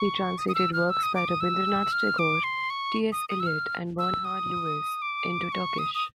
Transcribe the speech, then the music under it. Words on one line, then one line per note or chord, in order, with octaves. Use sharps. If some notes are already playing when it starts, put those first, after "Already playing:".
He translated works by Rabindranath Tagore, T. S. Eliot, and Bernard Lewis into Turkish.
Already playing: C#6
D#6
D#6
E6
F6
E6
D#6
D6
D#6
E6
F6
D6
C6
C#6
D#6
D#6
E6
F6
E6
D#6
D6
C#6
D#6
D#6